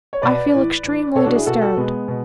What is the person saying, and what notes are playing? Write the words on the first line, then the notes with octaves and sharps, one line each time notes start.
I feel extremely disturbed.
C#5
B2 B4 D5
A2 E3
A2 E3
B2 A4 C#5
D4 F#4
E4 G#4
B2 F#4 A4
F#4 A4
B2 G#3 B3
B2